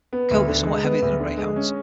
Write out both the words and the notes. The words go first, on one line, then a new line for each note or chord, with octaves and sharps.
The coat is somewhat heavier than a Greyhound's.
B3
D2
D3
G#3
B3
D2
D3
G#3
C#4